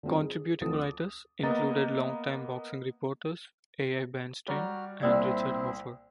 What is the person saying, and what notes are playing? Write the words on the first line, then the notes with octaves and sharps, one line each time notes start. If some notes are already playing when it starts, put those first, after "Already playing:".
Contributing writers included long-time boxing reporters Al Bernstein and Richard Hoffer.
D3 G3 C4 F4
G#4
D2 F3 C4 A4 D#6 A6
D6
A#3 B3 D#5 A#5 A6
G3 F#4 C#5 D5 A#5 F6
C2 A#2 C4 E4 C5 D5 E6